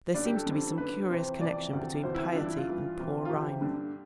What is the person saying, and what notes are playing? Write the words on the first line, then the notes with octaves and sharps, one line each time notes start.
There seems to be some curious connection between piety and poor rhymes.
G2 D3 D5
G4
A4
F2 D3
F2 D3 B4
F2 C3 E3 C5
F2 C3 E3 D5
D2 C3 E3
D2 C3 E3 C5
E4
F4
G2 E3 D4
E4
F4
G2 E3
F2 C3 E3
F4
F2 C3 E3 G4
G2 D3